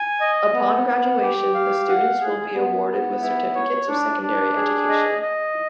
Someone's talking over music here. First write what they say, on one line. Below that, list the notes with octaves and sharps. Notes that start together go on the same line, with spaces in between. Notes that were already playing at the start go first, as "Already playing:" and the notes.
Upon graduation the students will be awarded with certificates of secondary education.
Already playing: G#5
D#5
B3
B3
G4
F5
F#5
G#4
B3
B3
E4
C#5
D4
D4
G#4
D#5
D#5